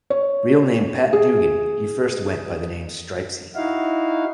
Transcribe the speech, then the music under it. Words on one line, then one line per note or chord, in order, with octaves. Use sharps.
Real name Pat Dugan, he first went by the name Stripesy.
C#5
G#4
D#4 E4 F#4 F5